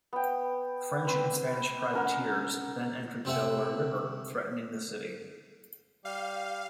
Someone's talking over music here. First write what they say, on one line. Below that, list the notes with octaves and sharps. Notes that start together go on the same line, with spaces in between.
French and Spanish privateers then entered the Delaware River, threatening the city.
B3 G5
C4 B4
C#4 A#4 F#5
C3 C4 G#4 E5 F#5
G3 F5